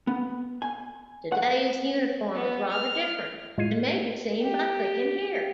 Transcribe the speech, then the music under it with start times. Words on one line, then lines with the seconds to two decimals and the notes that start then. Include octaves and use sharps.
Today's uniform is rather different and may be seen by clicking here.
0.07 B3
0.62 G#5
1.32 F#5
2.35 B3
2.70 F6
3.58 A2 G#3 F4 G#6 C7 D#7
4.42 G4